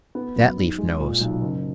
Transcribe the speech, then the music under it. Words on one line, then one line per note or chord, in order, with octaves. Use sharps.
That leaf knows.
B3
F#2
G#2
G#3
A#2
B1
F#1